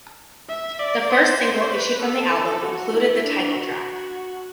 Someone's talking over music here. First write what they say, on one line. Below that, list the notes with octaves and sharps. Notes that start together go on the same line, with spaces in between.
The first single issued from the album included the title track.
E5
D5
C5
B4
A4
F#4
E4
D4
F#4